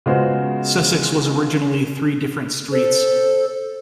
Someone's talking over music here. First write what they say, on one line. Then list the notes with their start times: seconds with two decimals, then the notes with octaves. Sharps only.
Sussex was originally three different streets.
0.06 C#3 G#3 B3 F4 F#4 C5
2.72 A4 C5